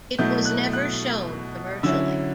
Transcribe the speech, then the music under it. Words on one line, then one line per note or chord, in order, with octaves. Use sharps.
It was never shown commercially.
B2 F#3 A3 E4 G6
F#6
F#6
D3 F#3 C#4 E4 E6